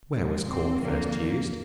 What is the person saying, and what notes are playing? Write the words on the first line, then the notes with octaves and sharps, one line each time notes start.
Where was Corn first used?
A#2 F3 G#3
C4
F2 D3 F3 A#3